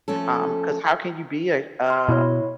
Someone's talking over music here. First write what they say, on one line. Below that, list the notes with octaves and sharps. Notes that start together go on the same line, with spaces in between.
um, 'cause how can you be a a
F3 A3 C#4 A4
C6 F6
B2 E4 C#5